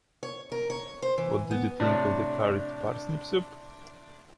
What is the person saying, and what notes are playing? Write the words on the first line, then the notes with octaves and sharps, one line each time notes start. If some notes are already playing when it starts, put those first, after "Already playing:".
What did you think of the curried parsnip soup?
C#5
A#4
C#5
C5
E3
B3
A2 C3 D4